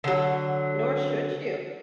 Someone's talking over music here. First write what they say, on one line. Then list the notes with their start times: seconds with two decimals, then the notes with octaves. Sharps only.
Nor should you.
0.04 D3 F#3